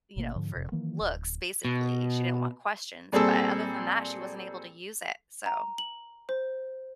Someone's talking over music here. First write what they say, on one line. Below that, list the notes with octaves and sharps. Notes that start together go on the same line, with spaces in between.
you know, for looks, basically, she didn't want questions but other than that, she wasn't able to use it. So,
G#1 B2 A3 A#3
G#2 D3 F3
F#1 F2 C3
D#3 E3 F#3 A#3
D1
B2
A#2 G3 C4 G#4 A4 E6
A#5
F#7
C5